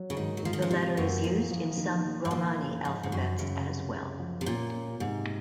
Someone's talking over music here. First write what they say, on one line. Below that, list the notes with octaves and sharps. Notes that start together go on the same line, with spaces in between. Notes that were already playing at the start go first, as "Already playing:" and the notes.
The letter is used in some Romani alphabets as well.
Already playing: F#3
C#3
G#2 D#3
F#3
G#2 F3
D#3
C#3
C3 F4
F#2 A#3
A#2 F3
F3
D#3
D#2
G#2
A#2 D#3
F#2
G#2 F3
G#2
F#2 C#3
C#2 F#2
C3
C#2
F3
C3
A#2 C#4
C#4
G#2 C3